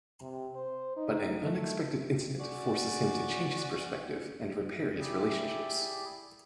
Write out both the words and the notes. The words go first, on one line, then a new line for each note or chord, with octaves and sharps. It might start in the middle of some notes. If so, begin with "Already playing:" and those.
But an unexpected incident forces him to change his perspective and repair his relationships.
C3
C5
D#4
A3
C#4 F#4 D5
E4 G4 G#4 D5 E5